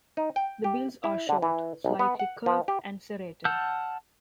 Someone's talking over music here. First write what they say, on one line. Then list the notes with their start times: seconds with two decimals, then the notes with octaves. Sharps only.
The bills are short, slightly curved and serrated.
0.17 D#4
0.36 G5
0.64 G4
1.04 E4
1.29 D3
1.42 E3
1.84 B1
1.99 B3
2.19 F#5
2.46 F3
2.68 G4
3.45 F#5 A5 E6 F6 G6